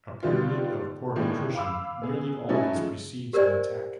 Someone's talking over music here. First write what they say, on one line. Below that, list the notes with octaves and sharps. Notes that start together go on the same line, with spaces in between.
A period of poor nutrition nearly always precedes an attack.
D3 D#3 G3 B3 F4
A2 D3 D#3 G#3 A#3 B3
F5 B5 D6 E6
B3 G#4
F#3 A3 C#4 E4 A4 D#5
C#3 F3
G4 A#4 C5 D5 D#5 G#5